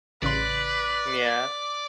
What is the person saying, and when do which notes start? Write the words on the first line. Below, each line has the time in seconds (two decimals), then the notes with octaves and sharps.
Mm, yeah.
0.22 A1 C#3 B4 D5 C6